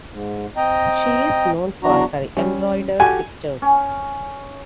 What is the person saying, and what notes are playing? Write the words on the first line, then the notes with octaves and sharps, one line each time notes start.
She is known for her embroidered pictures.
G#2
C4 D#5 G5 A#5
E2 F#3 D4 F#4 A#5
G3 C#4
F#4 G4 A4 G#5
C#4